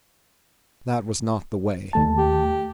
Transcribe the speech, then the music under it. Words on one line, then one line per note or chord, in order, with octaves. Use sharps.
That was not the way.
D#2 A3 A5
G4